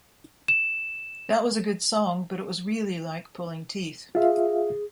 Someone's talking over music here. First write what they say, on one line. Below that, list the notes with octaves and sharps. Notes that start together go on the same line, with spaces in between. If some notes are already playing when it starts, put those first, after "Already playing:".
That was a good song, but it was really like pulling teeth.
E7
F4 G#4 E5 F5